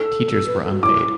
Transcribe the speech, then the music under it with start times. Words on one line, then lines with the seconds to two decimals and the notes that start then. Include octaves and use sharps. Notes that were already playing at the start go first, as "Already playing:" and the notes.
Teachers were unpaid.
Already playing: A4 E6
0.34 A4
0.47 B4
0.64 A4
0.71 F#4
0.83 E4 D6